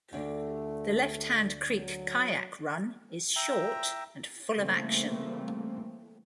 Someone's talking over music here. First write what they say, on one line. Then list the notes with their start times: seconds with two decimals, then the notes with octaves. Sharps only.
The Left Hand Creek kayak run is short and full of action.
0.13 D2 A3 D4 D5
1.72 F#3
3.36 E5 G5 A#5
4.58 C#3 E3 G3 A3 A#3 C4